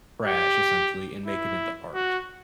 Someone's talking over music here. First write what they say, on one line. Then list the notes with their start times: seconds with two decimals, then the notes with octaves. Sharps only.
trash essentially, and make it into art
0.26 G4
1.27 E4
1.95 F#4